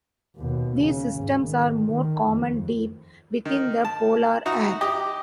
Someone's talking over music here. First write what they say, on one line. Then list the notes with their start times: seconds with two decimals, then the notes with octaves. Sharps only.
These systems are more common deep within the polar air.
0.36 D#2 B2
0.81 C#3
1.13 G#1 G#2
1.44 D#3
1.87 D#3
2.28 F2
3.45 D#3
3.85 A5
4.46 D#4 E4 F#4 A#5 D#6
4.81 G4 D#5 D#6